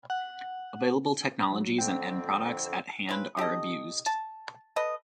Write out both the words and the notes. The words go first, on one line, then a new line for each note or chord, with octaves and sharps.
Available technologies and end products at hand are abused.
F#5
F#3
F2 D3 C4 G5
C#3 C4 B4
D#4 G4 A4 D#5
A5
A4 B4 D#5